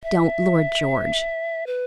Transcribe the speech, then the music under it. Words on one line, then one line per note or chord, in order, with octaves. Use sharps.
"Don't, Lord George."
E5
B4